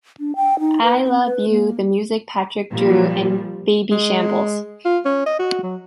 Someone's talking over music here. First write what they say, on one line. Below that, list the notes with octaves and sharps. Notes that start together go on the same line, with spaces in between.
I love you, the music, Patrick, Dru and Babyshambles.
D4
G5
D#4
B4
C4
B4
A#3
A#2 F3 G3
G#3
F4
C#4
D#5
F#4
F#3